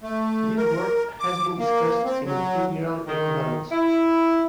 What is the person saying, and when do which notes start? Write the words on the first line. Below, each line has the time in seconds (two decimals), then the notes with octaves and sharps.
This work has been discussed in behavioral economics.
0.01 A3
0.57 A#4
1.20 D6
1.59 A#3
2.05 C4
2.25 F#3
3.07 D#3
3.71 E4